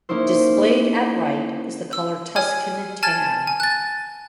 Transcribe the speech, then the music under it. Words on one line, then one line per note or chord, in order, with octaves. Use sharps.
Displayed at right is the color Tuscan tan.
A#3 C#4 D#4 E4 C5
E6
C#5 G#5 F6 G#6
G#5 A5 F6 G#6 A6
G#5
F#6 A6